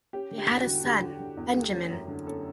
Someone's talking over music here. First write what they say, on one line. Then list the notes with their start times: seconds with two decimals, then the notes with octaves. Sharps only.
They had a son, Benjamin.
0.13 C#4 G4
0.31 D3
0.38 G4
0.50 E2
0.61 F#4
0.67 D3
0.84 D3 G4
1.02 D3
1.20 D3
1.37 E2
1.56 A3
1.73 C#4
1.90 F#2
2.08 D3
2.27 C#4 A4